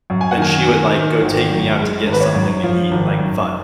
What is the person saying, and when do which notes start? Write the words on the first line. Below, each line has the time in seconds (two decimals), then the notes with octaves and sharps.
then she would, like, go take me out to get something to eat, like, fun,
0.10 F#2
0.21 G#5
0.31 F#5
0.38 D#3 G#5
0.66 D#3
0.94 D#3
1.22 G#1
1.51 F#2
1.79 G#3
2.07 G#1
2.12 B4
2.20 C#5
2.35 F#2
2.63 F3
2.91 G#1
3.19 F#2